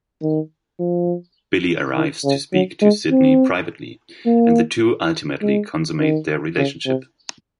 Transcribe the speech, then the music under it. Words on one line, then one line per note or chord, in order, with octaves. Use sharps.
Billy arrives to speak to Sidney privately, and the two ultimately consummate their relationship.
D#3
F3
D#3
C#3
F#3
G#3
C4
A#3
G#3
D#3
C#3
C3